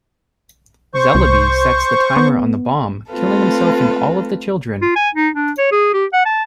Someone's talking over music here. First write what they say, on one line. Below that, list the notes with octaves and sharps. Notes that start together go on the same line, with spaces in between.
Zellaby sets the timer on the bomb, killing himself and all of the Children.
C5 C#6
C2
B3
A3 C4 F4 A4 B4
F4
G#5
D#4
D4
C#5
G#4
G4
F#5
A5